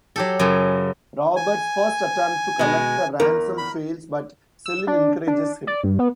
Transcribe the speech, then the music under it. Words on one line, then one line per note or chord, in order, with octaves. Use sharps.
Robert's first attempt to collect the ransom fails but Celine encourages him.
F#3 G4 A4
F#2 C#3
G#5
B2 G#3
E2 A#4
B5
E6
D4
D4
D5
G2
B3